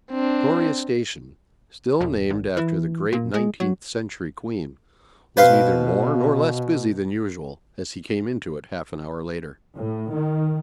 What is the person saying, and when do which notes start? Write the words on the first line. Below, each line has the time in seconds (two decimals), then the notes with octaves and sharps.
Victoria Station, still named after the great nineteenth-century Queen, was neither more nor less busy than usual as he came into it half-an-hour later.
0.11 C4 D4
2.01 E1
2.30 G#1
2.57 E3
3.13 A#2
3.34 G#3
3.60 F#3
5.37 B2 B4 C5 F5
9.76 A2
10.13 D#3